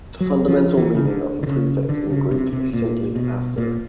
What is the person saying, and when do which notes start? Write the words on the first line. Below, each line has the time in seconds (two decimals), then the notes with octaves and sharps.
The fundamental meaning of the prefix in Greek is simply after.
0.20 F#3
0.48 F3
0.77 E3
0.95 C#3
1.05 D3
1.43 D3
1.47 C#3
1.89 D3
2.10 C#3
2.31 C3
2.53 C3
2.73 A#2
3.16 B2
3.58 A#2